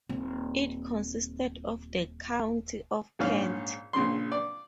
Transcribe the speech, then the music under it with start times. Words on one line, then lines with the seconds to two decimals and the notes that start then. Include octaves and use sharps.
It consisted of the County of Kent.
0.09 D#1 C4
3.19 A#1 G#2 C#4 F5
3.93 A#1 C#3 C6
4.32 D5